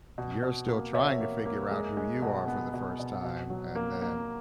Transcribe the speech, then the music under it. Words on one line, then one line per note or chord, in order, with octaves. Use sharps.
you're still trying to figure out who you are for the first time, and then
B2
B2
A#3
B2 C#5 E5
A#3
A#3
G#3
G#3
B2
B3
B2
B2
B2
F#3
A#3
A#3